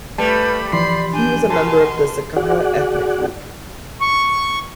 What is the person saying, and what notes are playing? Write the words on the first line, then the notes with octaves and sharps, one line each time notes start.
He was a member of the Nzakara ethnic group.
G3 A3 B4 A5 B5
E3 F3 D5 B5 C6 C7
D4 G#5 G6
B2 A#4 A5 C6
F#4 G#4 D5 F#5
C#6